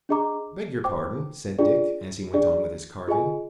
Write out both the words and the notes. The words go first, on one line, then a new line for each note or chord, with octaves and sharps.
"Beg your pardon," said Dick, as he went on with his carving.
D4 G#4 D#5 A#5 D6
C5 G5 D6
D4 F4 G#4 D5
D4 G#4 D5
F4 G#4 D#5 G#5